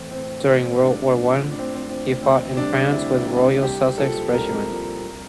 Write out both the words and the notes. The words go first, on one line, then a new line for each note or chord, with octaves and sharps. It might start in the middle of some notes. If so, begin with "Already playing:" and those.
During World War One he fought in France with the Royal Sussex Regiment.
Already playing: A2 E3 A3 C4
A2 C4
E3 A3 C4
A2 D4
F3 C4
A2 D4
C4
C4
F3 C4
D2 C4
C3 G3 D4
D2 E4
C3 G3
C2 G4
A#2 F3 C4 A4
C2 A#4
A#2 F3 C4
C2